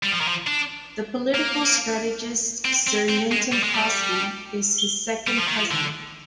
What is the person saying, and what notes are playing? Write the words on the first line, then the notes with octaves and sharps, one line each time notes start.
The political strategist Sir Lynton Crosby is his second cousin.
G3
F3
D#3
F3
D4
A#3
C4
C4
C4
G#3
G3
G#3
G3
G3
F3
D#3
F3
D3